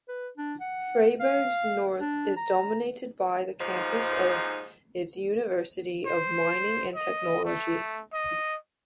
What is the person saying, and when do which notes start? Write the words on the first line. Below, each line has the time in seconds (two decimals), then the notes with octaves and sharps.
Freiberg's north is dominated by the campus of its University of Mining and Technology.
0.09 B4
0.38 D4
0.61 F#5
1.20 F5
2.01 D4
2.37 A#5
3.59 D#2 G#2 F3 D#4
6.06 C5
6.95 D#5
7.45 A3
8.13 D#5